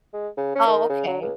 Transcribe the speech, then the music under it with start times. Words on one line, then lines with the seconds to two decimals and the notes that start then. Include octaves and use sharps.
Oh, okay.
0.13 G#3
0.37 C#3
0.55 C#4
0.67 D#3
0.89 C#3
1.07 F#3
1.22 C#2